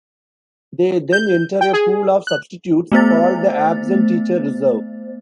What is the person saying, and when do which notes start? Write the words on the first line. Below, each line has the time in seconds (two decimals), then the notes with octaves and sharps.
They then enter a pool of substitutes, called the Absent Teacher Reserve.
1.13 G6
1.61 G5
1.73 G#4
2.27 F#6
2.92 A3 B3 C5 A6